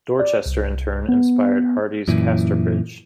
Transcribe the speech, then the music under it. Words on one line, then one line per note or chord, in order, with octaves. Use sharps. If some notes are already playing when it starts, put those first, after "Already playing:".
Dorchester, in turn, inspired Hardy's Casterbridge.
D5
C2
B3
F#2 A#2 E3